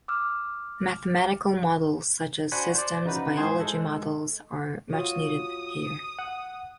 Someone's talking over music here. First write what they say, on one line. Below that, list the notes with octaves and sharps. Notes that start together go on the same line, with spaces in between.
Mathematical models, such as systems biology models, are much needed here.
D6 E6 F6
D4 F#4 C5 F#5 G#5 B5
C5 D5
C#3 D#4 F#4 B4
G#2 E3 G#4 C5 C6 G#6
G#3 A4
F4 F#4 C#5 D#6
F#5